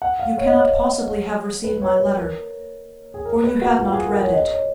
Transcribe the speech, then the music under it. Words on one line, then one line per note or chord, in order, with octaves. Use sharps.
"You cannot possibly have received my letter, or you have not read it?"
F#5
F5
C#5
D#5
C#5
B4
C#5
B4
A#4
G#4
A#4
B4
F#4
F4
G#4
A#4
C#5
D#5
C#5